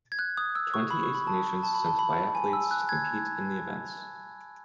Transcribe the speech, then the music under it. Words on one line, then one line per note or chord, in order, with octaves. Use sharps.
Twenty-eight nations sent biathletes to compete in the events.
G#6
F#6
D#6
E6
C#6
B5
C#6
B5
A5
A5
B5
A5
B5
G#5
E6
F#6
G#6